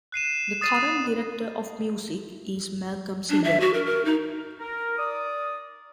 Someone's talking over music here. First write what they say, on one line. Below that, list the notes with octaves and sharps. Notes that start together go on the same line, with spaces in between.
The current Director of Music is Malcolm Singer.
F#6 C7 D#7 E7
D#6 A6 C7 D#7
D4
E5
F#4
A#4
A#4
D#4
A#4
D5 D#6